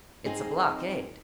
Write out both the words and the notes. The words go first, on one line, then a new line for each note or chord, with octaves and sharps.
"It's a blockade."
C4 D#4 G#4 D#5